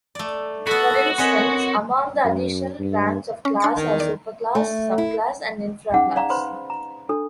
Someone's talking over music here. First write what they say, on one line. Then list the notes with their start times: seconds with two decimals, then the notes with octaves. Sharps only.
For instance, among the additional ranks of class are superclass, subclass and infraclass.
0.15 A3 D5
0.67 B3 F#4 A4 B5
1.18 C4 A#4 B4 C#5 D#5 G#5
2.25 F#2
2.79 G2
3.45 C#4
3.60 D4 A6 C#7
3.76 E2 D#3
4.00 D5
4.55 A3
4.98 E4
5.94 C#4 D#4 G#4 F#5
6.16 D5 F5 A#5
6.30 B4 C5 B5 C6
6.70 A#5
7.09 D4 A4